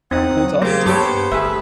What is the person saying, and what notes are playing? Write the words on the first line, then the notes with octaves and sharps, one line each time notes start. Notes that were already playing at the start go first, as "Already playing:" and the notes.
cool talking to you.
E2 C4 D#4 F#5 D#6
F#3
C#3 A#3 G4 C5
G2 B3 G4 A4 C5 C#5
G1 A3 G#4 B4 E5